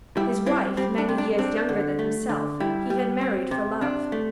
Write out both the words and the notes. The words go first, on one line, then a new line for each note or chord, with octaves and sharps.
His wife, many years younger than himself, he had married for love.
G3 E4
C4 E4
G3 C4
D4
C3
D4
C4 D4
D3
A3
D3
G3 E4
G3
C4
C3
C3 D4
A3